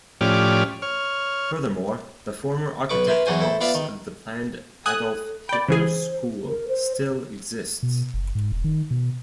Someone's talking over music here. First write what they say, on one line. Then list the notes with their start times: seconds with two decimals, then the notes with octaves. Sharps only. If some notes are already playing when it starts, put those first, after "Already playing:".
Furthermore, the former architect house of the planned Adolf Hitler School still exists.
0.21 A2 F3 C#4 G4 D5 F6
0.82 C#5 F6
2.89 B1 B4 C#6 D6
3.07 A#4 B4 E5 C6
3.26 E2 F#3 F#4 C5 G#5
3.41 E4 A4 C5
3.61 B3 F4 D5 E5 F5 A5
3.75 D#3
4.86 A4 G#5 D#6 F#6
5.49 D5 G5 B5
5.68 C#3 E3 G#4 C5
6.48 A#4
6.68 C5
7.83 B2
8.14 F#1
8.35 G#2
8.52 E1
8.64 D#3
8.91 B2